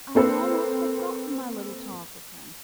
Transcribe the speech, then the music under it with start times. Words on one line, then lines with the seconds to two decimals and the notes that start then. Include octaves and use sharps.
I had almost forgotten my little talk with him.
0.15 A#3 C4 A4 B4